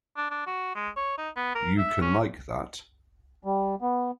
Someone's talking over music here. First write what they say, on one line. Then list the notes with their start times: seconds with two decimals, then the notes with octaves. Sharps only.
You can like that.
0.17 D4
0.31 D4
0.47 F#4
0.75 G#3
0.97 C#5
1.18 D#4
1.36 B3
1.55 A#4
1.78 E5
2.02 C#4
3.45 G3
3.82 B3